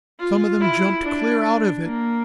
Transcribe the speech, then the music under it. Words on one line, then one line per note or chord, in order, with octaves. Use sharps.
Some of them jumped clear out of it.
F4
E4
D4
A#3